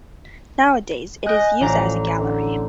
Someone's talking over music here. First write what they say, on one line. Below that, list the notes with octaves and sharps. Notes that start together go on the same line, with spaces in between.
Nowadays it is used as a gallery.
D#5 G#5 F#6 G6
A1 F3 D5 A#5
D3